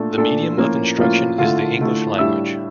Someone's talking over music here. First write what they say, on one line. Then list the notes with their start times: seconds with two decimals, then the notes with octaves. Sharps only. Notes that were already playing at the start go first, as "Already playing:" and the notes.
The medium of instruction is the English language.
Already playing: A#2 A3 D4 A4
0.18 A#2 A3 D4 A4
0.57 A2 F3 A#3 C#4 F4 A#4
0.98 A2 F3 A#3 C#4 F4
1.38 D3 A3 E4 F4 F5
1.78 D3 A3 E4
2.19 A2 G3 D4 E5 E6